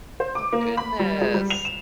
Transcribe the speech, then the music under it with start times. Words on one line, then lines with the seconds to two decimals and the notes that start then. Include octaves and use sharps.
Oh, goodness.
0.20 C5
0.35 D6
0.53 A#3
0.77 B5
0.99 G3
1.21 G#3
1.34 G3
1.50 F7
1.65 E7